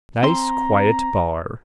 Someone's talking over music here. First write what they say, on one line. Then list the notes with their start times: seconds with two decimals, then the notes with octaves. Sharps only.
Nice quiet bar.
0.23 C4 A#5 C6